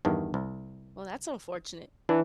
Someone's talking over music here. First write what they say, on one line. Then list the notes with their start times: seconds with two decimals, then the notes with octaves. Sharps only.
well, that's unfortunate.
0.05 E2 G2 D#3
0.34 C2
2.09 E3 D4